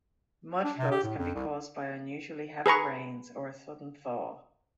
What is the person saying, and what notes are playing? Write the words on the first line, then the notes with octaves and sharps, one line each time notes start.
Mudflows can be caused by unusually heavy rains or a sudden thaw.
D4
C3
G4
A2
F2
C2
G#4 B4 A#5 C#6